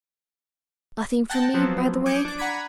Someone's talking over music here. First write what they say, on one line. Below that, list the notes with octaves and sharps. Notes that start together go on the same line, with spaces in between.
Nothing for me, by-the-way?'
F#5 G5 A5 A#6
F3 F#3 B3 C4
D6 D#6 G6 G#6 C#7 D7
D4 D6
F#5 A#5 B5 G#6 B6 D#7